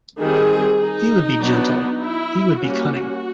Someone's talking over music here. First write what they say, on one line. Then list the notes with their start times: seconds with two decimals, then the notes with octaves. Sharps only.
He would be gentle, he would be cunning.
0.19 D#3 G3 C4 G#4
0.80 D#4
1.40 F#3 B3 D4
2.02 E4
2.62 G3 A#3 C#4 F#4